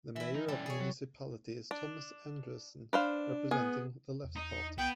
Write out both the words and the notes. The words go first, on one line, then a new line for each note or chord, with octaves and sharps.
The mayor of the municipality is Thomas Andresen, representing the Left party.
E3 E4 E5
D#4
G3 C#4 A4
G#4 A4 C#5
F#3
D4
D4 B4 C5 F5
B3 G#4
E2
D#4
C2 B3 G5